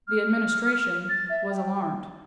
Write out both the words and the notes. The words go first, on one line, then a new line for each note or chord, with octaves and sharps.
The Administration was alarmed.
F6
A6
E5
G5